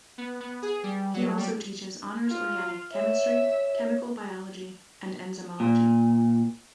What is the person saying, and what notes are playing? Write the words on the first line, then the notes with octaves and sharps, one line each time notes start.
He also teaches Honors Organic Chemistry, Chemical Biology and Enzymology.
B3
B3
G#4
G3
F#3
G3
F4
C#5 E5
A#2